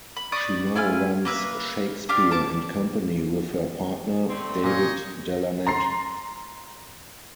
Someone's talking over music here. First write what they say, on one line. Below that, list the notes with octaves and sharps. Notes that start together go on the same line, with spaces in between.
She now runs Shakespeare and Company with her partner, David Delannet.
B5
D5 B5 C#6 D#6
E4 F4 G#5 F6
A#3 B4 E5 F#6
D4 G4 F5
A5 D6
D3 A3 C4 C6
A#2 D#4 C#5 D#5
A#5 C6 A6 C7